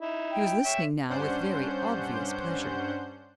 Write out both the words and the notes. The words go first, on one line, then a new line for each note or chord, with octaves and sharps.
He was listening now with very obvious pleasure.
D#4 E4
G5
C#5 E5
G2 C#4 D4 C5 F#5 G6